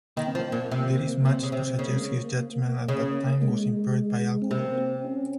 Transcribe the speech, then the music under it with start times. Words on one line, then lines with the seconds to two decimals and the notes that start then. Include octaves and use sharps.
There is much to suggest his judgement at that time was impaired by alcohol.
0.17 D#3 A#3
0.28 C4
0.35 F3
0.39 A#3
0.52 A#2
0.72 C3
1.25 C3 C4
1.43 C#3
1.52 C3
1.79 C#3 A#3
1.88 G#3
1.98 A#3
2.88 C#3
3.42 G#3
4.42 C4
4.50 C3 A#3
4.78 C4
5.05 C#4